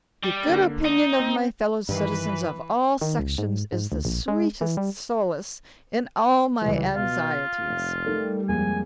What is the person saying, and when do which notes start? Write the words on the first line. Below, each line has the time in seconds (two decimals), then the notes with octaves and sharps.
The good opinion of my fellow citizens of all sections is the sweetest solace in all my anxieties.
0.23 G3
0.47 D3 A#3
0.85 D#4
1.20 C4
1.89 G2 D#3 E3 B4
3.01 D#3
3.19 C#2
3.38 G#2
3.72 G#2
3.92 D2
4.05 A#1
4.28 G#3
4.61 E3
4.77 G3
6.62 C#2 E3 G3
6.96 B2 F4 F5
7.64 F1
8.06 G3 A3 D#4 A#4
8.49 C2 F2 G#3 A#3 G#5